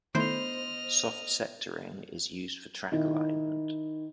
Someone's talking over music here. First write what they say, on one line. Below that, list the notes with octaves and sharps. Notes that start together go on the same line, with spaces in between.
Soft sectoring is used for track alignment.
D#3 A3 B3 E4 C5 D#5 F6
D#3 D#4 E4